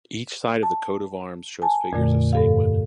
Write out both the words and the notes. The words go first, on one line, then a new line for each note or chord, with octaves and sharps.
Each side of the coat of arms shows figures of sitting women.
A5
G#5 A5
F2 A#2 D3 A3
G2 A4 F5